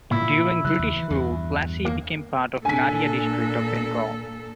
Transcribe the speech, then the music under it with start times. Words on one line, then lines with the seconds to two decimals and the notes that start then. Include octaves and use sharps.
During British rule Plassey became part of Nadia District of Bengal.
0.11 A#2 E4
0.65 C#3 F#3 F#6
0.79 D#2
0.96 E3
1.10 E2 G2
1.85 A#3
2.65 A#2 D4 A4 G#5 B6